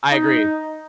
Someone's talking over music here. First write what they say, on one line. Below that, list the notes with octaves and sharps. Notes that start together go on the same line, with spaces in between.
I agree,
D#4